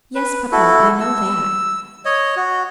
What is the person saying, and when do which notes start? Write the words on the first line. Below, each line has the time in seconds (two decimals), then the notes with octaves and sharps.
"Yes, papa, I know that."
0.15 B4
0.52 E4 F#4 A4
1.00 E6
2.05 C#5 D#5
2.36 F#4